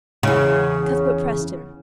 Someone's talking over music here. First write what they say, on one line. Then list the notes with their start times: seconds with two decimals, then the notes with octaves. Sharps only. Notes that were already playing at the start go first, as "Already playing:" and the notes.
Cuthbert pressed him.
0.23 E2 C#3